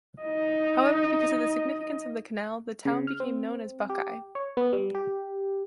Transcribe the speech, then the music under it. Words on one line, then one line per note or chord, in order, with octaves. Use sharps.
However, because of the significance of the canal, the town became known as Buckeye.
D#4 D#5
C#3
F6
C4
G4
C#5
B3
G3
G4